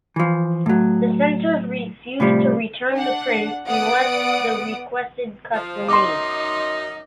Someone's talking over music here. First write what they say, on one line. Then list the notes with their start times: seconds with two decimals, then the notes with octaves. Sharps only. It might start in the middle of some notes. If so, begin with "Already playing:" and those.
The censors refused to return the print unless the requested cuts were made.
0.16 E3 F3
0.66 A2 F#3
2.20 A2 C3 F3 G3
2.92 D4 F#5
3.68 B3 D5 F#5 D#6 D7
5.53 F3
5.88 F#2 D#4 C6 D6